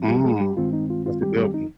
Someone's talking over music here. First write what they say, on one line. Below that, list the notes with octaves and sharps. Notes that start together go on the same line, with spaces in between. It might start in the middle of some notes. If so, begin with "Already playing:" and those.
Mm. That's a good one.
Already playing: G2 F3 C4
G3 G4
G#3 G#4
G3 G4
G2 D#3 G#3 C4 F4
D#4
F4
F4
G3 G4
G3 G4
D#4